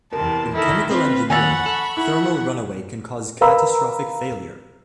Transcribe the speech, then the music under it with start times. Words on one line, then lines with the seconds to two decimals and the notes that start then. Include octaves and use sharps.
In chemical engineering, thermal runaway can cause catastrophic failure.
0.13 E2 C3 A#4 A5
0.55 D#3 E4 A4
0.91 C4 F4 B4
1.30 D#2 C#5 F#5 G#5 B5 C#6 E6 A6
1.66 A4
1.97 E4 F#5
3.41 A#4 B4 F5 A#5 B5 E6